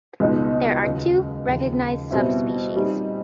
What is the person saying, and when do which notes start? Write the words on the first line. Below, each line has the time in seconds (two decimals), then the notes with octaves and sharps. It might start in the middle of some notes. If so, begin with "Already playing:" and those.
There are two recognized subspecies.
0.20 C#2 B2 G#3 B3 D#4
0.84 D#2 C#3 F#3
1.47 D#2 C#3 F3
2.11 B2 G3 C4 E4
2.74 A#2 G3 C4 D#4